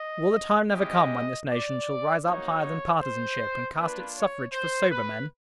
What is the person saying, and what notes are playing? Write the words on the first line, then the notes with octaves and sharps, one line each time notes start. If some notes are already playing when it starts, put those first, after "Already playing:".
Will the time never come when this nation shall rise up higher than partisanship, and cast its suffrage for sober men?
Already playing: D#5
G#3 C#4 E4 G4 D#5
D5
A#3 D#4 F#4 C#5
C5
A#3 D4 F4 B4
C#5
C5
B4